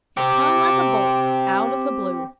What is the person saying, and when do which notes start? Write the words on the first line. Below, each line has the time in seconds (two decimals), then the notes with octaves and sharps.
It come like a bolt out of the blue.
0.17 C4 G4